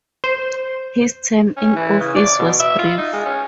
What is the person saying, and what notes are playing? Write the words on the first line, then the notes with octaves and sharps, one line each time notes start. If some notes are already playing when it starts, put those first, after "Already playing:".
His term in office was brief.
C5
C#4
E3
C#3
D5
B2
E5
F4
D#4
G#3
C#4